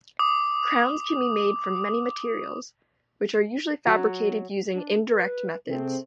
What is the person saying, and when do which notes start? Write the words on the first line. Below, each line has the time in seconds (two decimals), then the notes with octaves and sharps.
Crowns can be made from many materials, which are usually fabricated using "indirect methods".
0.19 D6 D#6
3.87 F#3
4.74 D4
5.10 B4
5.68 C3 A3 C4 G#4